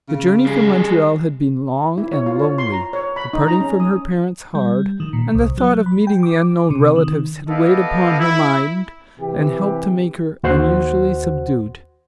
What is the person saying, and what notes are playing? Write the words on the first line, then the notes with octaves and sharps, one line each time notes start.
The journey from Montreal had been long and lonely, the parting from her parents hard, and the thought of meeting the unknown relatives had weighed upon her mind and helped to make her unusually subdued.
C#3
G3 G#4
E4
C#5
F4
C#5
C6
A#5
C#5
B5
D#4
A#5
C#4
D#6
G3
D#3
A#2
C2
F#3
B5
G5
D6
C3
D#3
B3 E4 G4 A4 D#5 F5
E4
C3 E3 G4
D#2 F#4 C5 F#5 C6